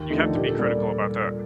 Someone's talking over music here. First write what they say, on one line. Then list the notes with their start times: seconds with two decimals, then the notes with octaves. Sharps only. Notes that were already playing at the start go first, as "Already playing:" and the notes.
you have to be critical about that.
Already playing: D#2
0.10 D3 F3 A3 D#4
0.22 A4
0.34 A#2 G4
0.46 A4
0.58 G3 A#3 D5